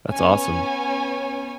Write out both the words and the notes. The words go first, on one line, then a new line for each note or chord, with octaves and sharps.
That's awesome.
B3 C#4 C#5 G#5